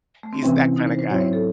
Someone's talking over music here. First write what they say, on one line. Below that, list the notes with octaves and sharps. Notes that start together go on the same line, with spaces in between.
he's that kinda guy.
A3
C4
C3 E3 C4 C#4 E4
D#4
C5
C5
G#2 F#3 C4 E4 C#5
C5
A4